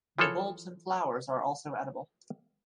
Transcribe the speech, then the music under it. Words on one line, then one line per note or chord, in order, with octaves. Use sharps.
The bulbs and flowers are also edible.
E3 F3 G#4 A4 C#5